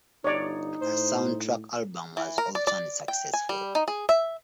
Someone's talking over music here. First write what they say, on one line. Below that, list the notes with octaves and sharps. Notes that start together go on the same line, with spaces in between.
A soundtrack album was also unsuccessful.
G1 D#4 C#5 D5
A2 C5
E3
A#4
D5
D5
G5
G#5
G3
D#4
G#4
E5